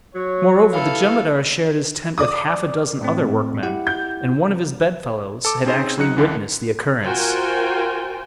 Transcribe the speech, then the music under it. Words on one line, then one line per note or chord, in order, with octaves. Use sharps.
Moreover, the jemadar shared his tent with half a dozen other workmen, and one of his bedfellows had actually witnessed the occurrence.
F#3 C#5
E4 A4 B4 F5
D5 D6 D#6
A2 A3 C4
E4 G4 F#5
G6
A4 D6
C4 C#4 D#4 G#4 C5
C#2 F#3 D#4 F#6 C#7
C#2 D3 E3
F4 F#4 A#4 C5 G5 G#5